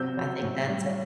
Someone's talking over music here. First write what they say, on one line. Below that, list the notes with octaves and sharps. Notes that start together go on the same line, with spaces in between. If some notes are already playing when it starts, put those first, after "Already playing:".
I think that's a
Already playing: C3 F#3 E6 G6
F#3
A2
G3